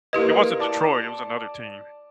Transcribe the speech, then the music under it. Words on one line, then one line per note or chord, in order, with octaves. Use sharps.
It wasn't Detroit, it was another team.
A#3 E4 G4 B4 D#5
D5 A5 D6